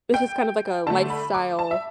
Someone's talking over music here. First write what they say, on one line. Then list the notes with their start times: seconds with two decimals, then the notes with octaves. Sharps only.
It's just kind of like a lifestyle
0.14 G5
0.86 D3 A3 A5
1.10 B5
1.35 D6
1.59 A5
1.71 E5